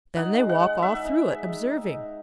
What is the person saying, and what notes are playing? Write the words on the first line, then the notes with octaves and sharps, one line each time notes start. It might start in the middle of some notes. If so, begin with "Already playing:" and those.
"Then they walk all through it, observing."
D#4 F#5
G#3
F#5
G#3
D#4 E5
D#4
G#3
G#3
D#4
D#4